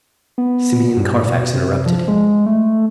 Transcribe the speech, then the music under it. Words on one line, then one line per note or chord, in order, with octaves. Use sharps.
Simeon Carfax interrupted him.
B3
G2
B2
C3
F3
G#3
A3